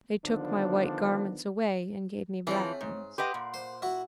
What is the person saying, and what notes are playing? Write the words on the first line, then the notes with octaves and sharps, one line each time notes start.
They took my white garments away and gave me black ones.
D3 D#3 F3 B3 D4
E3 F3 C4 G#4 C#5
G#2
G4 B4 D#5 F#5 C6
A#2
C5
E4 F#4